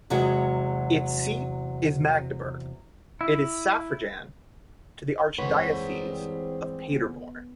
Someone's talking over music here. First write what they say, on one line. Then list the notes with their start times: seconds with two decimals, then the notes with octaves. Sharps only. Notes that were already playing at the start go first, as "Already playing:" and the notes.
Its seat is Magdeburg; it is suffragan to the Archdiocese of Paderborn.
0.10 E2 C3 F#3 G#3 F#4
3.21 E4
5.39 G#2 E3 G3 C4 G#4 B4 C#5 F#5
6.92 B3